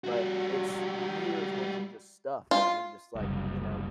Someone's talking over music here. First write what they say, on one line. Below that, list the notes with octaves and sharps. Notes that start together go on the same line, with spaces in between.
but it's years worth of just stuff, man, just like, you know,
G3 F#4
F4
F#1 C2